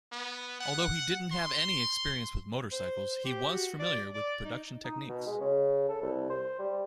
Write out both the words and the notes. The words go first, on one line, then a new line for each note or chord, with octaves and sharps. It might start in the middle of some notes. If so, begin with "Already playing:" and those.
Although he didn't have any experience with motorcycles, he was familiar with production techniques.
B3
F#5
C6
C5
G4
F#4
D5
D5
D#4
D#4
B2
G#3
C#3
A4
C2
C5
G3